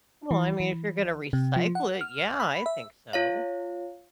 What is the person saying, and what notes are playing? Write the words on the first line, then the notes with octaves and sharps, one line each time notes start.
Well, I mean, if you're gonna recycle it, yeah, I think so.
E3
E3
C3
F3
F#5
F6
B5
E5
F4 C#5 F5